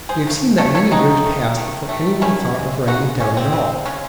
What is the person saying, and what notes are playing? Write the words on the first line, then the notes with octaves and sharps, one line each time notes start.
We have seen that many years passed before any one thought of writing it down at all.
G#4 C5
C#3 F#3 A3
C#3 F#3 A3 A4 C#5
A4 C#5
C#3 F#3 A3 C4 D#4
D#3 A3
D#3 A3
D#3 A3
D#3 A3 C#4 E4
C#3 G#3
C#3 G#3 D#4 F#4
C#3 G#3 C#4
C4
C#3 G#3
C#3 G#3 C#4